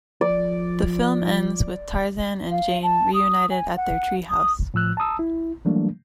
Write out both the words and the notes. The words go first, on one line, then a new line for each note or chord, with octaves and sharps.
The film ends with Tarzan and Jane reunited at their tree house.
F3 D5
F5
A5
D#6
G#5
F#5
D#6
A2 F3 E6 F#6
A5 A#5 D#6 E6
E4
E3 F#3 G3 A3 A#3 D4